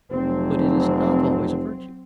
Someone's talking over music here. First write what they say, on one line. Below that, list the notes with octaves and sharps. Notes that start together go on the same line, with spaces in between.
But it is not always a virtue.
F1 F#3 C4